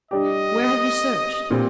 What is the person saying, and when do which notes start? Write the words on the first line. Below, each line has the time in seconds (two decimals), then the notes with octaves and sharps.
"Where have you searched?"
0.11 G3 D4 G4 D#5
1.50 A#2 G3 C4